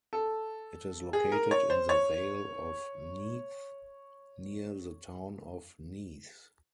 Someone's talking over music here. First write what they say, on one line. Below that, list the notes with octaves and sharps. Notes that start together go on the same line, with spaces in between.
It is located in the Vale of Neath near the town of Neath.
A4
G#4
A#4
C#5
C5
C#5